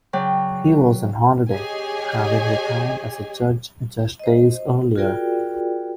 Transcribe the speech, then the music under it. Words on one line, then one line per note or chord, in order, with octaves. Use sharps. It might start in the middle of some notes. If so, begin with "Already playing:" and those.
He was on holiday, having retired as a judge just days earlier.
C#3 F#3 D5 G5
G4 G#4 C#5 D#5 G#5
C5 D#5
F4 F#4 G#4 A#4 D5 G5